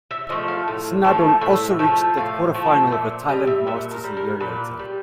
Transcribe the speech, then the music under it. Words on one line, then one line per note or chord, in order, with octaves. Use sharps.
Snaddon also reached the quarter-final of the Thailand Masters a year later.
E5
F3 A3 D#5
F5
A2
F3 A3
A2 E5
F3 A3
A2 F5
F3 A3
A#2 E5
G3 D#5
E5
A#2 E5
A#4
G3
A#4
A#2 B4
G3